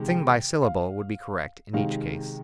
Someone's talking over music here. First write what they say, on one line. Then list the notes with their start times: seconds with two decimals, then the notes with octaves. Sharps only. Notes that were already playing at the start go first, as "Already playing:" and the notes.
"Sing by syllable" would be correct in each case.
Already playing: C3 D#3 G#3
0.08 G5
0.63 F5
1.73 C3 D#3 G#3 F5